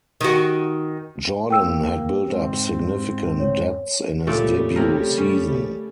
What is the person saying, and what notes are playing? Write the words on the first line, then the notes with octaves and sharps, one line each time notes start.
Jordan had built up significant debts in his debut season.
D#3 F#4
A#3 G5 E6
G#2 C4
C#5
A#2 C#3 G3 A3 D5
C3 A3 A#4
C#4